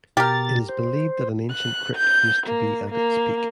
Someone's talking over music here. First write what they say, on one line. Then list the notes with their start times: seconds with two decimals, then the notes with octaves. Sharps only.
It is believed that an ancient crypt used to be at its peak.
0.17 B2 G4 A#4 A6
0.69 C5
1.52 F#6
1.96 G6
2.47 A#3
2.90 A#3